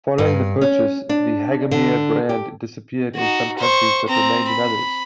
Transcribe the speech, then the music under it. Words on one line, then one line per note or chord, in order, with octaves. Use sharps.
Following the purchase, the Hagemeyer brand disappeared in some countries but remained in others.
G2
C#4
D4
D3
G4
D#4 F#4
C5 C#6
C4 A#5
B5